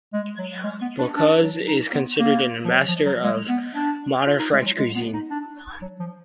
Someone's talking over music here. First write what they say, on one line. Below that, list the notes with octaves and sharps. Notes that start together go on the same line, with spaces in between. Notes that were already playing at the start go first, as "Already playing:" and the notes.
Bocuse is considered an ambassador of modern French Cuisine.
G#3
F#3
G#3
B3
D4
D4
F#3
D#4
B3
A#3
F3
F#3
F3
F#3
G#3
B3
D4
F4
D#4
G#3
F#3
G#3
B3
D#4
D4
F#3
F3